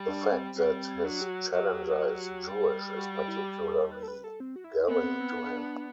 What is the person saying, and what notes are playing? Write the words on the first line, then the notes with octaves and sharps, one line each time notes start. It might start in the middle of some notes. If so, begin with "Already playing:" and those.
The fact that his challenger is Jewish is particularly galling to him.
Already playing: G3
D4
C4
G3 C4
F#3 D4
G4
F#4
F#4
F#3 G4
G4
A4
G4
G3
F#4
E4
F#4
G4
A4
B4
A4
B4
A4
C4
F#4
E4
B3 C4
C4
C4
E4
D4